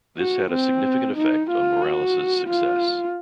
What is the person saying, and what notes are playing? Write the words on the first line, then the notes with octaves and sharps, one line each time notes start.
This had a significant effect on Morales' success.
F#4
C4
D#4
F4
F#4
F4